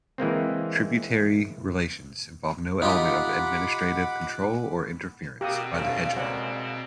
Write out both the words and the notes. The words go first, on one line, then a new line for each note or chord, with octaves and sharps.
Tributary relations involve no element of administrative control or interference by the hegemon.
E3 G#3 A#3 C4
D#4 F4 G4 F#5 B5 D6
B2 A#3 C4 F#4 G4 A4 F5 D#6
C2 G2 C#4 A4
C#3 G#3 A#3 C5 D5 F#5